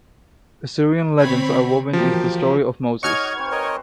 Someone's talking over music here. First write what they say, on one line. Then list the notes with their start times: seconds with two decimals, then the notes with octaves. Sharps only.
Assyrian legends are woven into the story of Moses.
1.20 D3 C4 C#5 B5 G#6
1.93 E3 F3 A#3 F#4 G4
3.03 D#4 G#4 C#5 D#5 F#5 C#6 F6 G#6
3.24 F#4
3.36 C4 B4
3.52 A#4 C#5 D#5
3.64 B4 C5